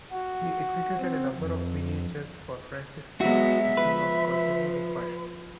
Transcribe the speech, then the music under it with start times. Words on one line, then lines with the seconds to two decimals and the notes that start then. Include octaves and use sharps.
He executed a number of miniatures for Francesco, the son of Cosimo the First.
0.11 F#4
0.99 C4
1.36 F2
3.21 F#3 G#3 B3 F#4 E5
3.77 F3 B4